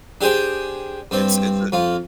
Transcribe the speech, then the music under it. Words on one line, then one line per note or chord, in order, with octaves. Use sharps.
It's it's a
D4 G4 G#4 C5 G5
G2 C4 C5
F2 F4